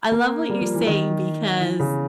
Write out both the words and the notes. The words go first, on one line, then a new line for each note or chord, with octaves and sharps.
I love what you're saying because,
A#3
G3
F3
E3
D#3
E3
C#3